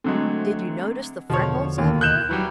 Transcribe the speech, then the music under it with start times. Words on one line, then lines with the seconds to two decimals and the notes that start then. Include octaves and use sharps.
Did you notice the freckles of her?
0.04 D3 F#3 G#3 A3 C4
1.30 E2 B2 D3 F3 C#5
1.78 D#2 D#3
2.01 F#6 G6 E7
2.29 E3 F#3 G3 E4